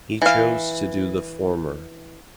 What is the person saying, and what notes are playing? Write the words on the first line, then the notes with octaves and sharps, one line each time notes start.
He chose to do the former.
E3 F5